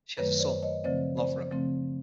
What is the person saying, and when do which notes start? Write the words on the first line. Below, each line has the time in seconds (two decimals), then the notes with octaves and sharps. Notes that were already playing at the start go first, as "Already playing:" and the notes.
She has a son, Lovro.
0.17 F#2 D#3 F#3 A3 B4 C#5
0.39 C5 D5
0.62 C#5 D#5
0.84 C#3 F3 A3 C4 C5 D5
1.17 C5 D5
1.51 C#3 F3 A3 C4